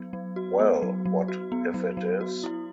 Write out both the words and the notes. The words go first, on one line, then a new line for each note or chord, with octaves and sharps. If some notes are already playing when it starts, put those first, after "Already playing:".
Well, what if it is?
Already playing: F#3 B3
F#3
F#4
B3
F#3
F#3
F#4
B3
F#3
F#3
F#4
E4